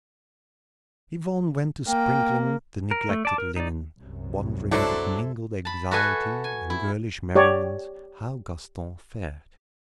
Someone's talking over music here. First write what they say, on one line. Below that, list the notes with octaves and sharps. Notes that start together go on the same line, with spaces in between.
Yvonne went to sprinkling the neglected linen, wondering with mingled anxiety and girlish merriment how Gaston fared.
A#3 G5
A#4
A3
D5 A5 D6
A#4
D#4 D5
C2 F#2
F#3 D4 E4 A4 C5
A5 B5
F#4 A4 B4 E5 G#5
G#5
E4
G4 C#5 D5